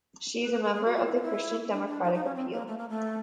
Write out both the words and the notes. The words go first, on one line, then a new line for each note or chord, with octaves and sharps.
She is a member of the Christian Democratic Appeal.
B4
B4
A#4
G#4
F#4
F4
E4
F4
E4
D4
D4
D#4
D#4
C#4
C4
A#3
A3
A#3
A3